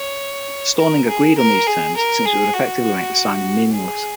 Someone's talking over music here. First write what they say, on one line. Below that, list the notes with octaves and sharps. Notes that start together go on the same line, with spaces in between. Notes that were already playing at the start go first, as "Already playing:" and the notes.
Stauning agreed on these terms, since it would effectively make the signing meaningless.
Already playing: C#5
A#4
G#4
A#4
G#4
A#4
G#4
F#4
G#4